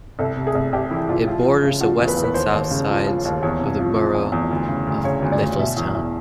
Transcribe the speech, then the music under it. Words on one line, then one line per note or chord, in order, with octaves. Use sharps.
It borders the west and south sides of the borough of Littlestown.
C2 A4
C3
G#4
C2
C2 G4
E3 E4
C2 F4
F3
F3
C#3
F3 F#4
E2
B4
E2
B4
D#2 C5
D#2
C#3
F3
F3
D#2
E2 C#5
C3
F3
F3
E2
E2
D2
C#3
D2
C#3 C#5
D2
D5
D2
B2 E5
E2
E2